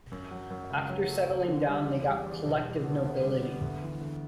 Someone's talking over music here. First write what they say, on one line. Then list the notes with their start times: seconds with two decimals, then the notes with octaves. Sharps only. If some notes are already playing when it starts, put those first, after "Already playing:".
After settling down they got collective nobility.
0.12 F#2
0.31 F#3
0.50 F#2
0.70 C#2
0.89 F#3
1.09 A3
1.29 F#1
1.48 D3
1.67 G3
1.87 E2
2.06 G3
2.26 E2
2.45 B1
2.65 G3
2.84 B3
3.04 D2
3.23 G3
3.43 B3
3.62 D2
3.82 E3
4.01 D2